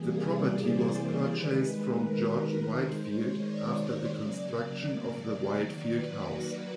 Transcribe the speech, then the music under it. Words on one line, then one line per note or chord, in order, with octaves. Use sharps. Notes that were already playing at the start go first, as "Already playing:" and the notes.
The property was purchased from George Whitefield after the construction of the Whitefield House.
Already playing: C3 E3 G3 A#3 G#4
D5
C5
D#3 G#3 B4
B4
A#4
D#3 G#3 C5
C#5
D5
C#3 F#3 A#3
D#3 F#3 A#3 D5
B4
F#4